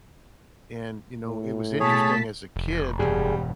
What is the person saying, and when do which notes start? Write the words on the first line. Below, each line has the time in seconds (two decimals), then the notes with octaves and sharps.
and, you know, it was interesting as a kid,
1.26 A2
1.80 B2 A3 G#4 C#5 A5 B6
2.56 F1
2.99 E1 G2 G3 G#4